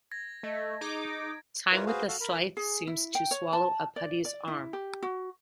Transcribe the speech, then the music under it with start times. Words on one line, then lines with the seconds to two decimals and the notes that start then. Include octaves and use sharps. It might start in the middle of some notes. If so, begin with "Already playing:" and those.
Time with a scythe seems to swallow a putti's arm.
0.11 G#6 A#6
0.43 A3 D#5
0.81 D#4 G#4 D6 G#6
1.72 E4 F4 A#4 B4 C#5
1.87 F#4 G#4 B4 C5 F5
2.08 F#4 A4 F5
2.21 A#4 B5
2.57 G#4
2.87 E4
3.15 G5
3.31 C#5
3.53 A5
3.96 D5
4.25 D5
4.48 E4
4.73 G4
5.03 F#4